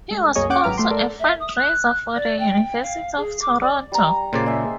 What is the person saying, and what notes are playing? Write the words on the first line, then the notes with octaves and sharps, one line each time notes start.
He was also a fundraiser for the University of Toronto.
G#3 A3
C2 F#2 A#3 G#4 C#5 D#5
C#4 C#5 F#5 G5 D6
G#1 F#3 B4 A#5 F6 D7
A3 C6
A4 A#4 D5
E5
D#6
F#6
D5
G5
F5
G#4
D6
D5
G3 A#5
A#2 C#3 C5 D5
G#3 E5